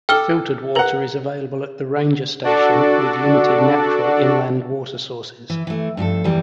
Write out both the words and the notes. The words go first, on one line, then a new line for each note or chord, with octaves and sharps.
Filtered water is available at the ranger station, with limited natural inland water sources.
A4 G5 D6 F6 G7
A#4 B4 F#5 A#5
D4 F#4 A4 D5
E3
E3 A3
G2 F3 G4 A4
E2 E3 G3